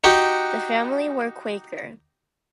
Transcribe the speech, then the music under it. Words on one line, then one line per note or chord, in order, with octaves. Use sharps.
The family were Quaker.
D#4 F#4 G4 F#5 G5